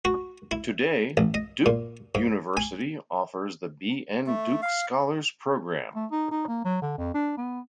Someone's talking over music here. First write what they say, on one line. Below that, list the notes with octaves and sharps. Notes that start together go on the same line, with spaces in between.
Today, Duke University offers the B. N. Duke Scholars program.
F#4
E4
A1
D#5
A#2
G#2
G#5
A3
F5
A3
D#4
D#4
A#3
F#3
D3
F2
D4
B3